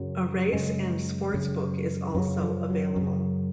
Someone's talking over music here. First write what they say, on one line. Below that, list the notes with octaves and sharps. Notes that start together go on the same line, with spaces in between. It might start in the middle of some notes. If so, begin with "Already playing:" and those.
A Race and Sports Book is also available.
Already playing: F#2 C#3 F#3
F#2 C#3 G#3
F#2 C#3
F#2 C#3 F#3
F3
F#3
F#2
C#3